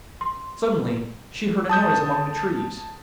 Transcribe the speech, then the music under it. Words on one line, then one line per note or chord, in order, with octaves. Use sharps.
Suddenly she heard a noise among the trees.
C6
A5 D#6 G6